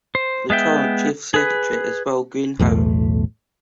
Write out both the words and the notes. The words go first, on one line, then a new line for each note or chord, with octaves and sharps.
The current Chief Secretary is Will Greenhow.
C5
G#3 B3 E5 G5
G#4 B4
B1 E2 A2 A3